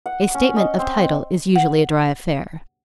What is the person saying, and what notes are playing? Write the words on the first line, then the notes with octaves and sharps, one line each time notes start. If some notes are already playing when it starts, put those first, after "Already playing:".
A 'statement of title' is usually a dry affair.
F#5
C#4
D#5
C4
F#5